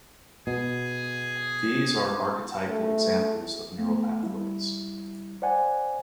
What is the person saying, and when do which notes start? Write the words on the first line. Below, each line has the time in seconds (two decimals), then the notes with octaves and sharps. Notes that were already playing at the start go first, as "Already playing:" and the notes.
These are archetypal examples of neural pathways.
0.47 B2 G#4
2.67 A3
3.79 A3 B3
4.23 G3 E4
5.42 C5 D5 F#5 G#5